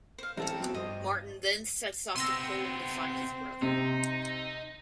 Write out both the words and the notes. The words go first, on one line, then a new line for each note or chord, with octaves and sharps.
Martin then sets off to Poland to find his brother.
C5 F5
A1 C4 A4 C#5 A5 A#5
F2 B2
G2 C5 D#5
C3 B3 C4 C6 E6 A#6
C3 D#4